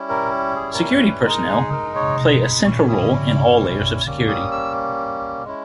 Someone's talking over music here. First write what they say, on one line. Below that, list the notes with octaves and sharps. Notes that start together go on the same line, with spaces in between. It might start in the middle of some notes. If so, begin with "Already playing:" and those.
"Security personnel" play a central role in all layers of security.
Already playing: G3 C#4 E4
A#4
G#4
A#4
B4
B4
G#3 D#4 A#4
G#4
A#4
C#5
A#5
B5
G3 C#4 E4 C#6
D#6
G3 A#3 C#4
D#6
E6
G#3 C#4 E4